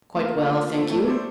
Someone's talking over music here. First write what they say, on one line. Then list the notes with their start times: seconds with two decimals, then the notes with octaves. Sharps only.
"Quite well, thank you."
0.15 A3
0.22 A#2 A#3
0.40 F3 A3
0.56 A#2 A#3
0.73 F3 A3
0.90 A2 A3
1.07 G3 D4 A4 C5